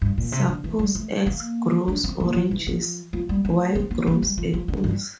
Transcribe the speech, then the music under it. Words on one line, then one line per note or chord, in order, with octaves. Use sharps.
Suppose X grows oranges, Y grows apples.
G2
A#2
C3
D3
E3
G3
A3
A#3
D4
C4
A#3
F3
E3
F3
F3
G3
A3
C4
A#3
A#3
G3
F3
F3
D3
G2